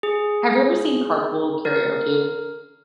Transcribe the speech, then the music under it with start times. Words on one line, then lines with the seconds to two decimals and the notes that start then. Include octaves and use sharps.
Have you ever seen Carpool Karaoke
0.03 G#4
1.65 A#4